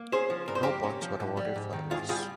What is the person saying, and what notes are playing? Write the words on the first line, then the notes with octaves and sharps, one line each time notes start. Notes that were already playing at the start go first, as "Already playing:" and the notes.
No points were awarded for a loss.
Already playing: A#3
C#4 G#4 C5
F3
G2 A#4
C5
A#3 G4 A#4
C#4
F3
G#2
G3
G#2
D#3
G#2 F4 G#4
G3 F4 G#4